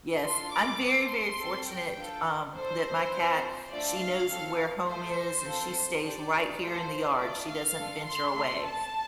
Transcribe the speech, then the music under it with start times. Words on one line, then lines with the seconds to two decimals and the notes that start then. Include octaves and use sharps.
Yes. I'm very, very fortunate, um, that my cat she knows where home is, and she stays right here in the yard. She doesn't venture away.
0.24 D4 F4 A4 C6
0.52 D6
0.81 C4 A4
1.11 C6
1.40 C4 A4
1.68 G5
1.98 D4 F4 A4
2.56 D4 A4 C5
3.14 C4 F4 A4
3.72 A3 D4 F4 A4 D5
4.01 F5
4.30 C4 A4
4.88 A3 F4 A4 C5
5.46 C4 F4 A4
6.04 D4 G4 D5
6.62 A3 F4 A4 C5
7.20 A3 F4 A4 D5
7.49 F5
7.78 D4 F4 A4
8.07 C6
8.36 A3 C4 A4 C6
8.65 A5